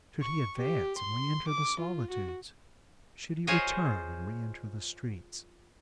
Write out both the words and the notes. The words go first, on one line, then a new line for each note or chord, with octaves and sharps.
Should he advance and re-enter the solitudes? Should he return and re-enter the streets?
C#6
G4
C6
D6
F4
F#4
F4 G#4 C5 C#5 D#5